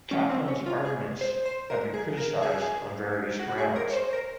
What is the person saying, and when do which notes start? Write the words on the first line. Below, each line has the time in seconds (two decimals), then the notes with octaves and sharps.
Kaplan's arguments have been criticised on various grounds.
0.11 C#4
0.29 C4
0.48 C#4
0.66 F4
0.85 G#4
1.21 C5
1.45 C5
1.70 A#4
1.94 G#4
2.17 A#4
2.42 G#4
3.39 F#4
3.58 G#4
3.76 A#4
3.90 C#5
3.93 C5
4.13 A#4